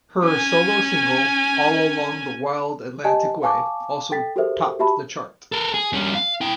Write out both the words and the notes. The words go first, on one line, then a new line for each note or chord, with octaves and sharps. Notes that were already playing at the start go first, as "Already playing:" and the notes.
Her solo single "All Along the Wild Atlantic Way" also topped the chart.
C#4 G#5
G4 D#5 G#5 A5
F5 G#5 A5 C#6 D6
A4 G5 A6 B6
F#4 G4 A4 A#4 C5 E5
F#4 G4 E5 A5 B5
A4 A#4
G#4
G2 C#4
F5
E4 G5